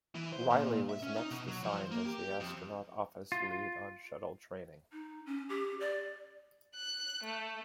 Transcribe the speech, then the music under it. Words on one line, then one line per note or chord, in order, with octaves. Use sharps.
Reilly was next assigned as the Astronaut Office lead on Shuttle training.
E3
C5
A#2
E5
C#4
D#4
B2
F#3
F3
A#3
G4
F2
F4
D#4
C#4
G4
D5
F#6
A3